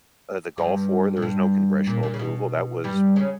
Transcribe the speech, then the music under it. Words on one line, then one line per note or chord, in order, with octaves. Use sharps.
Uh, the Gulf War, there is no congressional approval. That was,
G2
A#2
G2
A#2
A#2
C#3
B2
G2 G3
C#3 C#4